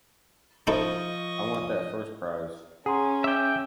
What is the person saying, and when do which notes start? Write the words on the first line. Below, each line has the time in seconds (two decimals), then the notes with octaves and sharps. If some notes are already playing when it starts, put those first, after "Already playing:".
I want that first prize.
0.67 F3 D#4 E4 A4 D#5 C#6
2.86 C#4 G#4 F#5 A#5 C6
3.24 E5 G5 G#5 D6